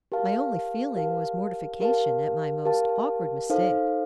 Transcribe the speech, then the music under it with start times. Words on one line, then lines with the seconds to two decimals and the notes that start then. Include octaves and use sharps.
My only feeling was mortification at my most awkward mistake.
0.12 G4 A#4 F5 A5
0.96 G4 A#4 F5 A5
1.80 G4 A#4 F5 A5
2.65 G4 A#4 F5 A5
3.50 D#4 A4 C5 F5